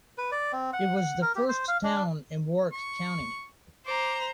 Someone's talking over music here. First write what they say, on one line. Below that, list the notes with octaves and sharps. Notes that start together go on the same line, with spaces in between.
It was the first town in Warrick County.
B4
D5
C4
F#5
F#5
A#4
G4
C5
F5
D4
C#6
C5 A#5 D6